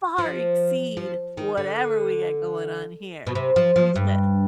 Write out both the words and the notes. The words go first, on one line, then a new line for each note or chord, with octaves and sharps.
far exceed whatever we got going on here. We ca
F3
F3
D#3
D3
B2
C3
F3
F3
G2